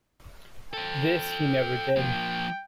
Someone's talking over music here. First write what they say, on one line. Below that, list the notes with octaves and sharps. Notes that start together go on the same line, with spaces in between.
This he never did.
A4 C5 G5
F3 A#3 G5